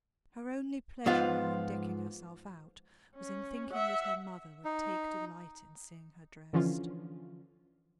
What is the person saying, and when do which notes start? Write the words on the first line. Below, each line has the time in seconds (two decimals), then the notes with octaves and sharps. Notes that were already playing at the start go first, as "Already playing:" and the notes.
Her only pleasure now in decking herself out was in thinking that her mother would take delight in seeing her dressed.
1.06 G#2 F3 B3 F4
3.16 C#4
3.71 E5 F#5
4.65 D#4
6.53 D3 E3 F3 C#4 F4